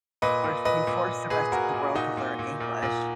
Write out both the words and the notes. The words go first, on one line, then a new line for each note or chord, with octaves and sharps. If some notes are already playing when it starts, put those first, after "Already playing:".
We're we force the rest of the world to learn English,
A#2 B4 D#5
A#2
A#2 B4 D#5
A#2
A#2
A#2 G#4 B4
A#2 F#4 A#4
A#2
A#2 D#4 F#4
A#2
A#2
A#2
A#2